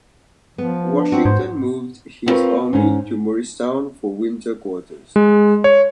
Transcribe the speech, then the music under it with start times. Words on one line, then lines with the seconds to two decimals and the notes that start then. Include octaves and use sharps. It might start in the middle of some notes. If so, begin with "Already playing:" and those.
Washington moved his army to Morristown for winter quarters.
0.58 F3 B3
0.92 D4
1.12 C4 F#4
1.25 G#2 C5
2.26 B3 C4 F4 A#4 B4 C#5
2.73 G#2 C#4
5.16 G#3
5.64 C#5